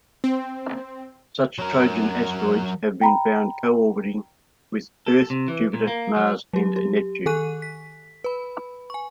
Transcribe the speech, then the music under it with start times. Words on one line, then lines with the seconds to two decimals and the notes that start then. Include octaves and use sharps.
Such 'trojan asteroids' have been found co-orbiting with Earth, Jupiter, Mars, and Neptune.
0.24 C4
1.59 F#3 A#4
3.01 G5 A#5 B5
5.06 A4
5.30 C3
5.48 E3
5.73 A#2
5.88 A#3
6.16 F#3
6.53 F#3 G4
6.76 G4
7.26 D#3 A4 G#5 C#6 F#6 D#7
7.62 B6
8.24 B4 B5
8.90 G#5 C#6